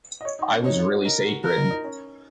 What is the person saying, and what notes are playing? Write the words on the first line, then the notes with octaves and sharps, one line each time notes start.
I was really sacred!
D#5
C#5
D#4
C#4
D#4 C#5
F4
F#4
A#4 D#5
F#4
F4 A#4
D#4
D#4
C#4